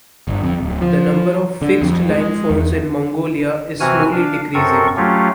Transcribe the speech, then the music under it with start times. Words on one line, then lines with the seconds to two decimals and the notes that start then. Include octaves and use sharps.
The number of fixed-line phones in Mongolia is slowly decreasing.
0.28 G1
0.43 F2
0.60 D1
0.81 F3
1.62 D3
1.82 F2
2.10 G#3
2.50 E2
3.80 C3 E3 C4 F#4 G#5 F6
4.12 D4 F5
4.54 F#2 C4 A4 A#4 C#6
4.97 F#3 A3 C#4 F4 G4